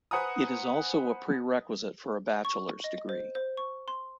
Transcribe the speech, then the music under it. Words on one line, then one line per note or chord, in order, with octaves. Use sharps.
It is also a prerequisite for a bachelor's degree.
B4 C5 F#5 G#5 A#5 D#6
C#6
D#5
C5
C5
C#6
C6